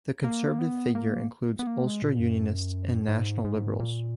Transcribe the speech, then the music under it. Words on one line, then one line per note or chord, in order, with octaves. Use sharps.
The Conservative figure includes Ulster Unionists and National Liberals.
A#3
B3
A#3
B3
A#3
G#3
A#2
F#2
G#2
G#2
A#2